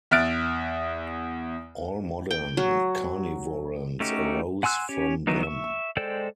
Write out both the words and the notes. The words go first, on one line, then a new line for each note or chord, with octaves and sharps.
All modern carnivorans arose from them.
E2 E5 F6 F#6 A6 D7
G5
F#3
A3 C#4 D#4 F#4 G4
F#5 G#5 C6 E6 F#6
C#4 G4 C#5
D#3 E3 F#3 B3 D#4
E5 C#6
G#3 A4 C5 D5 G5